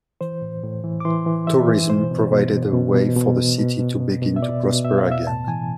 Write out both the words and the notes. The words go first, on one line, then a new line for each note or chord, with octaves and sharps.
Tourism provided a way for the city to begin to prosper again.
E3 C5
A2
A2
E3
D6
E3 C6
E3
E3 E5
E3
B2 C5
B2
B2
B2
B2
B2
B2
B2
B2
B2
B2
B2
E5
B2 D5
B2
B2 E5
F5
B2
E5
A2 A5
E3 G#5